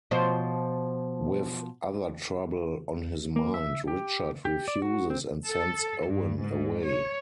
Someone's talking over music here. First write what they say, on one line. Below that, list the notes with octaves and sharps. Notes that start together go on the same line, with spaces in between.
With other trouble on his mind, Richard refuses and sends Owen away.
B2 F3 C5
A#3
E5
G4
G4
D5
F#4
C4
A4
G2
G#2
C#5